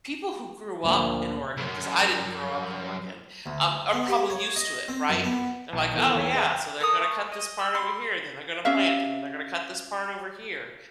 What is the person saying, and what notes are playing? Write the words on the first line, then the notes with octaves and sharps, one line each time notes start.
people who grew up in Oregon 'cause I didn't grow up in Oregon, um, are probably used to it, right? They're like, "Oh, yeah. So they're gonna cut this part over here, then they're gonna plant, and then they're gonna cut this part over here."
D2 A#2 F3 D4
C#2 F#2
D2
B3
G4
C#5
D#5
C4
F#2
B3
B1 A5
D#3 E3 B3 A4
E2 C#5 B6
G#4 B4 D#5 E5
A4 A#4 B5 D#6
A3
D#5
E6
B5 C6
C#4 G4 E5 F5